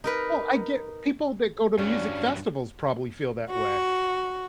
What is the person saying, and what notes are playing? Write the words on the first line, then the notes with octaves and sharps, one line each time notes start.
Well, I get people that go to music festivals probably feel that way,
D#4 A#4 B4
G2 F#3 C#4 D5
F#4